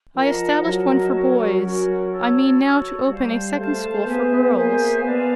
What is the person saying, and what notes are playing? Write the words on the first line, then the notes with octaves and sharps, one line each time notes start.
I established one for boys: I mean now to open a second school for girls.
F3 A#4 D#5 F#5 A5
F#3 A#4 D#5 F#5 A5
C#4 F#4 A#4
F#3 C#4 F#4 A#4
F#4 A4 C#5
F#4 A4 C#5
G3 C5 F5 A5
A3 C5 F5 A5
B3 G#4 C5 E5 G#5
A#3 G#4 C5 E5 G#5
B3 B4 D5 F5 A5